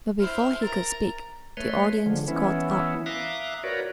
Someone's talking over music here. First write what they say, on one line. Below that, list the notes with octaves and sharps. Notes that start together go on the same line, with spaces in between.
But before he could speak, the Audience got up.
E4 C5 F6
A#4 A#5 A6
A3 B4 C#5 C6
D3 F3 G#3
E3 B3 C#4 E4
E5 F5 A#5 D6 D#6 F#6
F#4 A#4 B4 C#5 D5